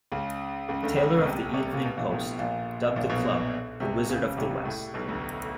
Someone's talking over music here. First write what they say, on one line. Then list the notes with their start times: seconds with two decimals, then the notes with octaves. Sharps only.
Taylor of The Evening Post, dubbed the club "The Wizards of the West".
0.12 C#2 C#3
0.69 C#2 C#3
0.83 D2 D3
0.97 C#2 C#3
1.17 B2
1.25 C2 C3
1.53 C2 C3
1.73 A#2
1.86 B2
1.97 A#1 A#2
2.11 A2
2.39 A#1 A#2
2.96 A#1 A#2
3.09 B1 B2
3.80 C2 C3
4.09 C#2 C#3
4.37 C2 C3
4.65 A2
4.94 B1 B2
5.08 D2 D3